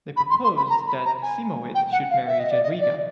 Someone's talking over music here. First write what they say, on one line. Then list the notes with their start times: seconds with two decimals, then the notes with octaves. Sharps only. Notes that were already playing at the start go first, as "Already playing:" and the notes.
They proposed that Siemowit should marry Jadwiga.
0.17 B5
0.30 C6
0.44 C6
0.57 B5
0.70 A#5
0.87 B5
1.06 A#5
1.23 G#5
1.75 G5
1.92 F#5
2.11 F5
2.27 E5
2.40 D#5
2.51 D5
2.63 D#5
2.80 D5